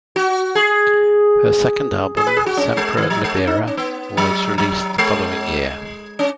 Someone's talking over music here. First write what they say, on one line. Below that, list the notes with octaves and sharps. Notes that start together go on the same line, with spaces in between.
Her second album, "Sempre Libera", was released the following year.
F#4
G#4
G#4
B4
G#4
F#4
C#4
G#3
D#3
F#3
G#3
C#4
D#4
C#4
B3
F#3
F#3
G#3
C#4